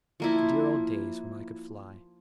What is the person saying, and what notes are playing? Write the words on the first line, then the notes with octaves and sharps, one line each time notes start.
"The dear old days when I could fly!"
F3 A#3 E4